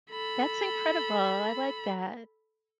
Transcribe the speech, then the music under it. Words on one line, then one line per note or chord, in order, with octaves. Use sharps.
That's incredible, I like that.
A4 B5